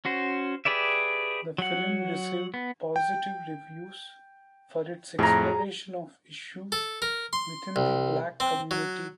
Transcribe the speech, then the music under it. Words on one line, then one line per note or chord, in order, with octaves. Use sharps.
The film received positive reviews for its exploration of issues within the black community.
C#4 F#4 C5
G4 G#4 B4 D5 E5
F#3 F#5
B3
G5
F2 A2 G#4 A#5
A4
A#4
C6
C2
C4
F#3